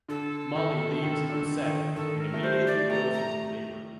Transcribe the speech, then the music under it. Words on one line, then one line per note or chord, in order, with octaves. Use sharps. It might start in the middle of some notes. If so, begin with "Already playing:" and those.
Mollie leaves upset, and immediately goes into labor.
D3 A4
D#3
D3
D#3
D3
D3
D#3
D#3 A4
A#4
A3
G3 C5
D5
A3 A#5
A#5